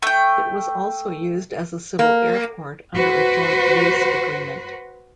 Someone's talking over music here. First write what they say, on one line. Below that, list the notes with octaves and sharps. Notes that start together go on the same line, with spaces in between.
It was also used as a civil airport under a joint-use agreement.
A3 G5
A#3
F#4 B4 C5